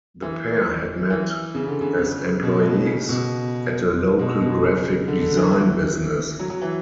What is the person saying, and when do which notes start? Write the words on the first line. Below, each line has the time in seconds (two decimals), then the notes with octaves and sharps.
The pair had met as employees at a local graphic design business.
0.22 E3
1.10 E3
1.55 C#3
1.67 D3
1.81 C#3
1.99 C#3
2.43 B2
2.65 A2
2.86 C#3
3.09 B2
4.19 B2
4.41 B2
4.63 C#3
5.08 D3
5.22 D3
5.37 E3
5.51 E3
6.39 F#3
6.50 F#3
6.62 E3